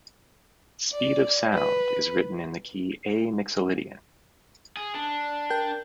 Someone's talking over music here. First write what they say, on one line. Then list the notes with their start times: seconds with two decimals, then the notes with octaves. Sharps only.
"Speed of Sound" is written in the key A Mixolydian.
0.92 D5
1.53 B4
4.77 G#4
4.95 D4
5.50 A#4 G5 G6